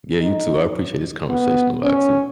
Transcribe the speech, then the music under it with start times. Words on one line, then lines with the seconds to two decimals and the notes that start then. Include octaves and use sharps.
Yeah, you too. I appreciate this conversation a lot, too.
0.20 D#4
1.30 B3
1.84 C#4